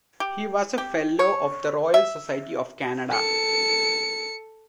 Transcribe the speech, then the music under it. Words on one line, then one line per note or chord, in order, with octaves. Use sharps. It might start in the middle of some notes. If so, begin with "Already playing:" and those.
He was a Fellow of the Royal Society of Canada.
G4
G4
C#5
E5
A4 C#7